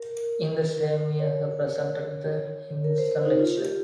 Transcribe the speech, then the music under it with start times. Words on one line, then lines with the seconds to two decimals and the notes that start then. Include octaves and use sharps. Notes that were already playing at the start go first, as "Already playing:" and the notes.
In the same year he presented the Higginson Lecture.
Already playing: A#4
1.19 C#5
2.84 A#4
2.98 C5
3.11 C5
3.25 D#4
3.39 F4
3.57 G4